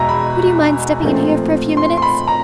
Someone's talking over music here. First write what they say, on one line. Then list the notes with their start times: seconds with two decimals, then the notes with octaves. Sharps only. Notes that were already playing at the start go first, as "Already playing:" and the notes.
Would you mind stepping in here for a few minutes?
Already playing: E2 B2 G#3 E5 A#5
0.09 B5
1.03 A#2 F3 A3 C4
1.77 C6
1.97 C6
2.02 B5
2.28 A#5